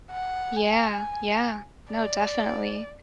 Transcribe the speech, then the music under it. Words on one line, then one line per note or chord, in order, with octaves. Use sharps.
Yeah, yeah, no, definitely.
F#5
G#5
D5